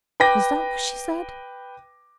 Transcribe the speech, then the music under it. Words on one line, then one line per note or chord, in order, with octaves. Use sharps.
Was that what she said?
B4 G5 D6 A#6